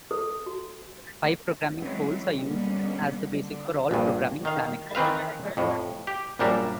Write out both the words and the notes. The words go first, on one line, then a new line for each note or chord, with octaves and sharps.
Five programming folds are used as the basis for all program planning.
A4
F#4
E3 F#3 G#3 C4 C#4
B2 D3 G3 A#3 B3 C#4
D3
A#1 G2
D#3 F5
D#3 E3 C4 B4 F5
F2 A2
G4
A#1 F#2 G3 D4 A#4 E5